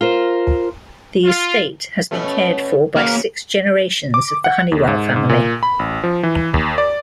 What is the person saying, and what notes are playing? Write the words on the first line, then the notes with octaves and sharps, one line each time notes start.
The estate has been cared for by six generations of the Hunnewell family.
F4 A#4 C5
F4
B2 A3 C#4
E2 C#3 A#3 F#4 F5
D6
F#5
D#2
G#2
G#2
A#2
B5
A1
F3
E3
D#2
D5